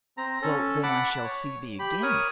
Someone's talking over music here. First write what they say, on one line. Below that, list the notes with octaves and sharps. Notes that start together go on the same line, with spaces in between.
Well; then I shall see thee again?
C4 A#5
C#4 A4
F#5 A5 B5 D6
C#5
G4 B5
A#4 C#5 D#6